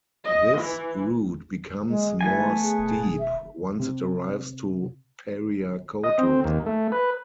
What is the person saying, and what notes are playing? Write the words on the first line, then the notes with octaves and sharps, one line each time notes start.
This route becomes more steep once it arrives to Pariacoto.
D#5
E3
G#3
E3 A3 B3 G#5
G#4
E1
E5
C3
D#5
C4
D#2
A3
B4